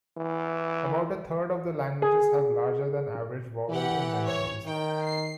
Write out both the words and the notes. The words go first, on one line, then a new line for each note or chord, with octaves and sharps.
About a third of the languages have larger than average vowel inventories.
E3
G#4
E3 G4 F#5
C#5
D#3 G5
C7